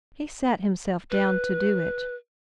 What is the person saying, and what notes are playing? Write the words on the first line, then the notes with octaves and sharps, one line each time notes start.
He sat himself down to do it.
B4